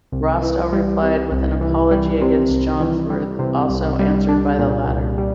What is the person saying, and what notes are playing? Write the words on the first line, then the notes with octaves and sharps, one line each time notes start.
Rastell replied with an "Apology against John Fryth", also answered by the latter.
C2
E3
G3
C3
C2
E3
G3
C3
C2
E3
G3
C3
C2
G3
D4
A#2
C2
G3